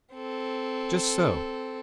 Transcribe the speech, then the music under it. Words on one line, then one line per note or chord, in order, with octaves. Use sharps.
Just so.
C4 A4